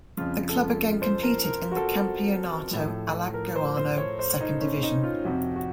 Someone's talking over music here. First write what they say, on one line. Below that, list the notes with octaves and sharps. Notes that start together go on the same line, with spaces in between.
The club again competed in the Campeonato Alagoano Second Division.
F2 C#3 F3 F4
A4
C5
A#4
A#4
F#4
A4
A2 F3
A#4
C5
C5
C#5
C5
D#4
C#4
D#4
F4
F2 C3 F3 F#4
F#4